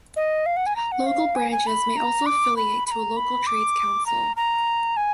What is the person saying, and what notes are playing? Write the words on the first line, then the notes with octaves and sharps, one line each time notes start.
Local branches may also affiliate to a local trades council.
D#5
F5
F#5
G#5
A#5
F#5
F5
G#5
G#5
B5
A#5
D6
B5
B5
A#5
B5
D6
A#5
A#5
G#5